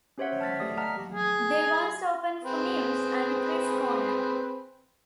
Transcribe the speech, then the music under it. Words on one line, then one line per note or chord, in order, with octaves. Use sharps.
They once opened for Muse, and Chris Cornell.
C#4 G4 C5 C#5 E5 F#5
A5 F6 A6 B6
A3 G4 D5 D#6
D#5 F#5 A5 A#5 F6 B6
G#4
C4 G#4 B4